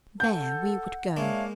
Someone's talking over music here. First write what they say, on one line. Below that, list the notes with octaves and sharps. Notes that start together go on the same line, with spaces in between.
There we would go.
A4 F#5 G6
G#3 A#3 D4 C#5 E5 F5